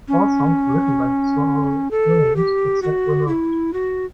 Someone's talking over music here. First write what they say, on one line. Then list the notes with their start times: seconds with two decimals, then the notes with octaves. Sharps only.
All songs written by Saul Williams except where noted.
0.08 C#4
1.91 A4
2.36 G4
2.82 F#4
3.28 E4
3.73 F#4